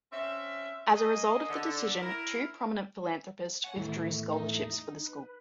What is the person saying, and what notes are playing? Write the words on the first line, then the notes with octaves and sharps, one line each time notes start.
As a result of the decision, two prominent philanthropists withdrew scholarships for the school.
C4 C#4 E5
A#3 F#4 G#4 D#5
D3
E4 A#4
C#5 F#5 G#5
E2 A2 D#3 A3 E4
D#4
B4